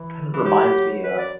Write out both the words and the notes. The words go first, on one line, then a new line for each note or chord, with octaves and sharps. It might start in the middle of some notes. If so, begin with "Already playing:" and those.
It kind of reminds me of
Already playing: E3
E3
F#3 G4
B4
D5